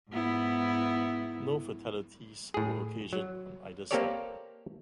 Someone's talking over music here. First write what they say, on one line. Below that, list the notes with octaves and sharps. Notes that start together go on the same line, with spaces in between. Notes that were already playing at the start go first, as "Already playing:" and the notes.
No fatalities were occasioned on either side.
G#2 B3 E4
A2 G#4
F#3
A#3 C4 G4 A4 C#5 D5